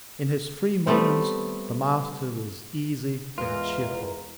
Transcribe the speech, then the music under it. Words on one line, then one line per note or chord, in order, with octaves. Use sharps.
In his free moments the Master was easy and cheerful.
G3 A3 B3 C4
E2 G#3 F4 A#4 B4